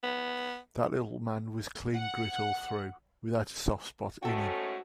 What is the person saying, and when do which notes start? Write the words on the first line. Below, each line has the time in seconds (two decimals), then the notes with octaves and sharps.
That little man was clean grit all through, without a soft spot in him.
0.03 B3
1.95 F#5
4.22 G#2 A3 C#4 F#4 A4 G5